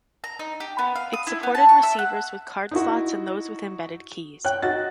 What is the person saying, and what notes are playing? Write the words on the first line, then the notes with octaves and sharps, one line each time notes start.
It supported receivers with card slots and those with embedded keys.
A#5
D#4
G4
B3
F5
D#6
E4
B3
A5
C#6
E5
F#5
D#4 E4 F#4
C#5 G5 F#6
D#4 F#4 A6